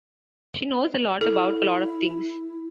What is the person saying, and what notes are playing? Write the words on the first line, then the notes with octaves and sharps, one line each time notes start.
She knows a lot about a lot of things.
E4 A4